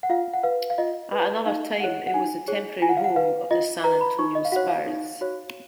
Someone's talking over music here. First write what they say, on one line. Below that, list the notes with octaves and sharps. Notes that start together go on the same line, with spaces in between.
At another time, it was the temporary home of the San Antonio Spurs.
F#5
F4 F5
F#5
B4 F5
F5
F4 D#5
B4
D#4 F5
G#4 C#5 F#5
F#5
D#4 G#5
G#4 C#5
F4 G#5
F#5
F5
F#5
B4 F5
F4 D#5
B4 A#5
B5
D#4 C#6
D#5
F5
F#4 C#5 F#5
F5
D#4
F#4 C#5